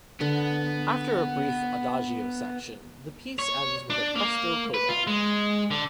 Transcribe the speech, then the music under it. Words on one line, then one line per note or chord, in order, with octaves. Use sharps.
After a brief Adagio section, the piece ends with a Presto Coda.
D3 B3
C#5
D4
A#3
B4
F4
G#3
D3